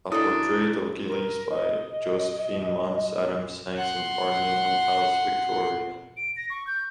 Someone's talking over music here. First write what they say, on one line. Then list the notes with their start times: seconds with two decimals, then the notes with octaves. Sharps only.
A portrait of Gillies by Josephine Muntz-Adams hangs in Parliament House Victoria.
0.12 B2 D4 E4 A4 D#6
1.07 A#4
1.50 D#5
3.77 F#5 C6
6.17 D7
6.36 A#6
6.50 C#6
6.67 G6